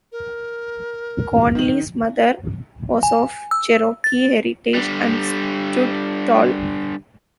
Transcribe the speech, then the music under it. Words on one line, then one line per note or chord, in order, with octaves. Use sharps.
Conley's mother was of Cherokee heritage and stood tall.
A#4
D#3 F#7
G#5
E6
A6
D3 G3